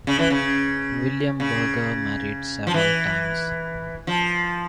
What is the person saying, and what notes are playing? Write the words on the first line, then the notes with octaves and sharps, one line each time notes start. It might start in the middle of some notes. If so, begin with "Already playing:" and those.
William Berger married several times.
C#3
E3
C#3
C#3
F3
E3
F3